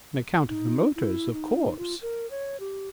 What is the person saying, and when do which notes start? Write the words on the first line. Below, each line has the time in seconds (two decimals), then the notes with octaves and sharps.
"On account of the motors, of course."
0.49 D#4
0.96 E4
1.33 D#4
1.78 F4
2.02 A#4
2.31 C#5
2.60 G4